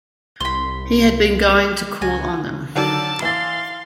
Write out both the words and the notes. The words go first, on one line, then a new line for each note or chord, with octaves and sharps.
He had been going to call on them.
C2 B5 C6
C#2 F#4 G#5
D3 D#3 F#3 D5 A5
E3 F5 C6 A6